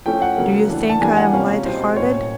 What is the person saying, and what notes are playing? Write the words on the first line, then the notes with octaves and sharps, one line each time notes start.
Do you think I'm light-hearted?
F3 A3 C#4 G5
F#5
C#3 F#3 A#3
E3 A3 D4
A5
E3 G3 A#3 D4 G#5
F#5
C3 F3 A#3 C#4 F5
B2 G3 C4 D#4 C5
A2 F#3 A#3 C#4 C#5